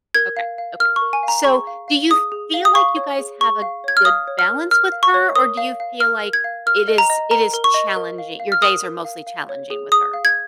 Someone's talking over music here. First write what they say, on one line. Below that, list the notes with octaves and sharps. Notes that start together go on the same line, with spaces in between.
Okay, okay. So, do you feel like you guys have a good balance with her? Or do you feel like it is it is challengi your days are mostly challenging with her?
A#4 G#6
F5
F5
A#4 F6
C#6
A#4
G#5
F5
A#5
G#4 C#6
F5
F5
G#4 D#6
G#4
F5
D#6
F5 C#6
C#5
G#4
G#4 C#6
F5
C#5 G#6
F6
F5 D#6
C#5
F6
A#4
A#4 F6
F5
C#6
C#5
A#4 D#6
F5
F5
A#4 F6
A#4
G#6
F5
A#4 F6
D#5
A#5
D#5
A#4 A#5
A#4
C#6
D#5
A#4
F5
F5
F6
A#4 D#6
A#4
F5
F5
C#5
G#4
G#4 D#6
F5
G#6